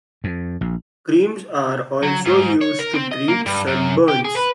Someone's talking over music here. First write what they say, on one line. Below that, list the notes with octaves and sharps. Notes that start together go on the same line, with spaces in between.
Creams are also used to treat sun burns.
F2
A#1
F#3
G#2
C#5
A#4
C4
D#5
A#3
G2
F#2
G4
G#4
B4